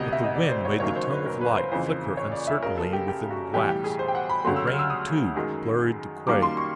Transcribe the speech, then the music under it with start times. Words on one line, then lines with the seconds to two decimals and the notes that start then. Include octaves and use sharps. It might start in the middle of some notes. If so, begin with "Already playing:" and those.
But the wind made the tongue of light flicker uncertainly within the glass; the rain, too, blurred the quay.
Already playing: E1 D2 C3 D#5
0.13 E5
0.24 D#5
0.35 D5
0.50 C5
0.65 C#5
0.80 F#1 F#2 D#3 F#3 A#3 C#5
0.96 C5
1.11 B4
1.26 A#4
1.41 B4
1.57 C5
1.72 F#1 F2 C#3 E3 C5
2.17 C#5
2.32 D5
2.47 E5
2.63 F#1 F#2 C#3 A#4
2.78 A4
2.93 G4
3.08 G4
3.30 F#4
3.54 B1 A2 E3 G3 G4
3.69 G4
3.84 G#4
3.99 C5
4.08 G5
4.15 F#5
4.29 B5
4.44 D2 C#3 F#3 A3 C6
4.56 E6
4.67 F6
4.79 E6
4.90 D#6
5.36 F#2 D#3 G#3
6.27 F#2 D#3 G3 A#3 D6
6.42 C6
6.57 C#6